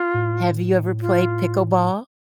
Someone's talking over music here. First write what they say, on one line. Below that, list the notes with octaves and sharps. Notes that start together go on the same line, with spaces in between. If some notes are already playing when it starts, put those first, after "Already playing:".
Have you ever played pickleball?
Already playing: F4
A2
F4